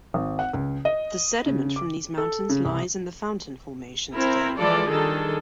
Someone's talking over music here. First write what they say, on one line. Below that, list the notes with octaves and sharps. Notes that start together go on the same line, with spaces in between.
The sediment from these mountains lies in the Fountain Formation today.
G#1
F#5
C#2
D#5
C#3
D6
A4
C#3
C2
C4 E4 A#4
E3 F3 G#3 F4 A4 D5
D#3 G3 D4 G#4 A4